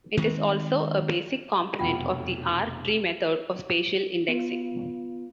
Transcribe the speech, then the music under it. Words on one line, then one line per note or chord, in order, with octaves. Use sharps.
It is also a basic component of the R-tree method of spatial indexing.
D#3 G#3 C4
F1 B1 E2 F4 F#5 G5
B3 F4